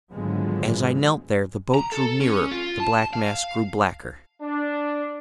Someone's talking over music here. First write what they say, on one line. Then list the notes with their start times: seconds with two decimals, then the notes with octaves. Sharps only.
As I knelt there the boat drew nearer, the black mass grew blacker.
0.11 G#1 D3 F3 F#3 G#3 B3
1.74 A#5
1.92 A4
2.20 C#4
2.51 F4
2.80 A5
3.13 F5
4.42 D4